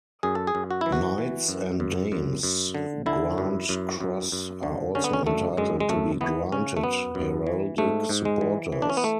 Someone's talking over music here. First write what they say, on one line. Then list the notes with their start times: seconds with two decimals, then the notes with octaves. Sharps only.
Knights and Dames Grand Cross are also entitled to be granted heraldic supporters.
0.23 F#2 G#4
0.35 A4
0.47 G#4
0.55 F#2
0.71 F#4
0.81 E3 E4
0.92 F#4
1.18 E3
1.49 F#2
1.80 F#2
2.12 F#2
2.43 F#2
2.75 D3
3.06 D3 E4
3.38 F#2
3.69 F#2
4.01 F#2
4.32 F#2
4.63 D3
4.95 D3 C#4
5.04 B3
5.13 C#4
5.26 F#2 A3
5.57 F#2 G#3
5.80 G#3
5.89 F#2 A3
6.21 E3 B3
6.52 C#3 C#4
6.77 A3
6.83 F#2 B3
7.15 F#2
7.47 E3
7.78 G#2 A3
8.09 G#2
8.25 G#3
8.41 E3
8.72 E3
8.82 D4
8.90 C#4
8.97 B3
9.04 A3